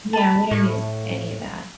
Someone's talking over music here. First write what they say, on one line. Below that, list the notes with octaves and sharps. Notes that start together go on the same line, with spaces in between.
Yeah, we don't use any of that.
A5 B5
A2 C#6